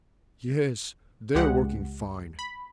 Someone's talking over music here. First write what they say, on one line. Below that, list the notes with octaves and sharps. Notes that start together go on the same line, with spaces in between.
Yes, they're working fine.
C#2 G#3 G4 F#5
B5